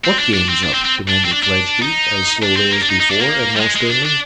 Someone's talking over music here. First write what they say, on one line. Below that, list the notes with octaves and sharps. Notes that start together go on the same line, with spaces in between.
'What game's up?' demanded Fledgeby, as slowly as before, and more sternly.
C4
D4
D4
C4
D4
C4
C4
D4
C4
D4
D4
D#4
D4
C4
A#3
D4
D#4
D#4
D4
A#3
G3
G#3
G#3
D4
D4